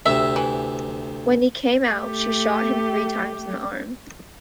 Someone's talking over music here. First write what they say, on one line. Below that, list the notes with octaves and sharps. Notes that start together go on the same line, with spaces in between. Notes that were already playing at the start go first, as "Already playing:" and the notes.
When he came out, she shot him three times in the arm.
D2 C3 E5
E3
A3 G4